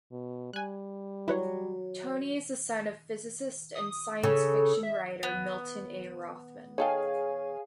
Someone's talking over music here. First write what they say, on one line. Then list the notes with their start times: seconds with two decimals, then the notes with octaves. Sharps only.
Tony is the son of physicist and science fiction writer Milton A. Rothman.
0.12 B2
0.53 G3 G#5 F#6
1.28 F#3 E4 B4 C#5
3.75 D#6
4.23 C#3 A4
4.83 E5
5.23 B3
6.78 D#4 G#4 A4 C#5 F5 G5 G#5